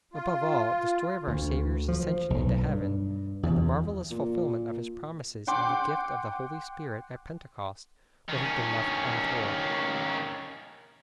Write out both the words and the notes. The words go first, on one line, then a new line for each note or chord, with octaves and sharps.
Above all, the story of our Saviour's ascension into Heaven, and the marvellous fulfilment of His promises in the gift of the Holy Spirit at Pentecost, would have been left untold.
F4
D2
F3
B1
G2
E2
A#2
F#5 G5 C6 D6
D#3 C#4